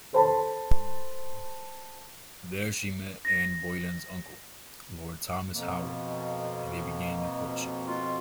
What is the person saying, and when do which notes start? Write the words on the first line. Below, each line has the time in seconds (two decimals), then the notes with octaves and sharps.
There she met Anne Boleyn's uncle, Lord Thomas Howard, and they began their courtship.
0.13 A4 C5 A5 B5
3.25 A#6
5.52 F2 B2 A#3
7.88 F4